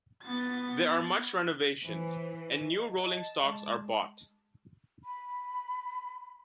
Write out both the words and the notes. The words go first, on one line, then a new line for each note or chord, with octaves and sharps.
There are much renovations, and new rolling stocks are bought.
B3 A6
E3 C5
D#5
D#5 A5
G#3
B5